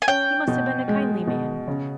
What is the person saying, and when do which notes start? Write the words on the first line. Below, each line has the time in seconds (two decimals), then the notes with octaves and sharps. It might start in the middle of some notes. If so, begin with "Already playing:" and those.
"He must have been a kindly man!"
0.02 G#5
0.07 C#4 G5
0.47 B2
0.88 G#3
1.27 B2
1.68 C#3